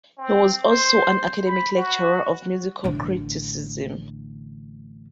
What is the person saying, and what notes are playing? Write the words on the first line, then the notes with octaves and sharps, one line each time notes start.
He was also an academic lecturer of musical criticism.
C4
C5
B5
F#4
A1 D3